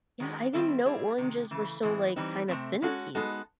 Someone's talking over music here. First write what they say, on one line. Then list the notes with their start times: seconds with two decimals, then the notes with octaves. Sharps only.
Yeah, I didn't know oranges were so, like, kinda finicky.
0.20 D#3 G#3 C#4 F#4
0.53 D#3 G3 C4 E4 A4
0.85 G3 C4 E4 G#4
1.18 C3 D#3 G#3
1.51 C#3 E3 A3
1.83 A2 E3 G#3 C4
2.16 E3 G3 C4 D#4
2.48 C3 F3 A3 C4
2.82 G#3 C#4 F#4 A4
3.15 G#3 B3 D#4 F#4 A4